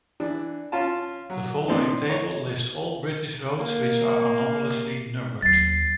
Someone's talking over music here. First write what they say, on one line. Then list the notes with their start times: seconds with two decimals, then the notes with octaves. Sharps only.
The following table lists all British roads which are anomalously numbered.
0.20 E3 D4
0.72 C#4 F4 A5
1.30 F#3
1.68 A2 C4 D4 D#4
2.10 C#5
3.58 A#3
5.42 D#2 F#3 A6 C7